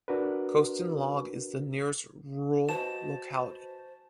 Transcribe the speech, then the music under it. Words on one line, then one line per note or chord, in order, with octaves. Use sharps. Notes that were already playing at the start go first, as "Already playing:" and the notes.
Kostin Log is the nearest rural locality.
D4 F#4 A#4 B4
F#4 B4 C5 D#5 A5 E7